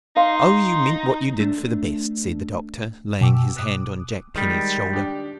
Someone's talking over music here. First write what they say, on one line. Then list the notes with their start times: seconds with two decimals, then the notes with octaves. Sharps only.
"Oh, you meant what you did for the best!" said the doctor, laying his hand on Jack Penny's shoulder.
0.16 D#4 F5 C6
1.40 A3 D4
3.21 B2 G5 D6 E6
3.57 D6 D#6 F#6
4.36 D#3 G3 G#3
4.93 D4 G4